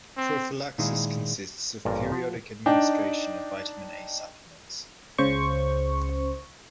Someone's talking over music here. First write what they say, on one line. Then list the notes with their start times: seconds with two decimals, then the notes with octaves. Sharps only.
Prophylaxis consists of periodic administration of Vitamin A supplements.
0.17 C4
0.78 A#2 D#3 G#3 D#4 E4 G#4
1.85 A1 G2 A#2 A#4 D5
2.12 F3 F4 F#4
2.66 D4 D#4 G5
5.18 C#2 C#3 C5 C#6